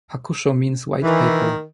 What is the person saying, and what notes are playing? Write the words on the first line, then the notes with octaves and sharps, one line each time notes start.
"Hakusho" means "white paper".
D#3 E3